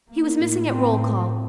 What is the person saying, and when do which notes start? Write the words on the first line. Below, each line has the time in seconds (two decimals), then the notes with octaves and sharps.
He was missing at roll-call.
0.09 A#3
0.39 A2
0.68 C4